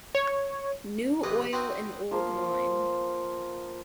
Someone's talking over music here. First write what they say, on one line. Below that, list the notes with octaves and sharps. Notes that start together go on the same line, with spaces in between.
New oil and old wine.
C#5
A#1 C3 E3 D#4 B4 D#5
C4 D#4 E4 F#4 B4 C5
F3 A#3 C5